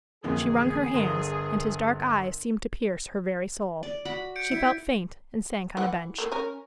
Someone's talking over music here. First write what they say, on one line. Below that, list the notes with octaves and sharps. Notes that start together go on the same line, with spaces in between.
She wrung her hands and his dark eyes seemed to pierce her very soul. She felt faint and sank on a bench.
A#1 F2 D3 E3 A#3 G#4
G1 D3 A#4 C6
D5
F#4 B5
G6 C#7 D7
E4
E3 F#5
A3 A#3
C#4 A#4